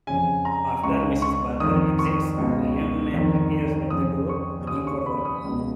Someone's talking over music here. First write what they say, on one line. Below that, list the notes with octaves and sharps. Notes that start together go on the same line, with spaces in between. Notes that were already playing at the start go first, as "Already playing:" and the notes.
After Mrs. Barker exits, a Young Man appears at the door, looking for work.
F2 C#3 G#5
A#5
C#2 C#3 C#6
C#6
F2 D#3 D#6
C#6
C#2 B2
F2 D#3
F2 C#3 D#6
C#6
D#2 C#3 D#6
C#6
B5
D#6
C#2 B2